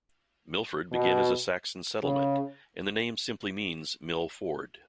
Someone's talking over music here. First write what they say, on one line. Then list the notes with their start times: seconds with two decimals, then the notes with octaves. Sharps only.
Milford began as a Saxon settlement, and the name simply means "mill ford".
0.92 B2
2.03 C#3